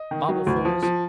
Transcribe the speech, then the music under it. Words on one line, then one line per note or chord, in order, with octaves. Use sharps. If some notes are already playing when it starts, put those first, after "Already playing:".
Marble floors.
Already playing: D#5
D#3
F#3
D2
F3
F3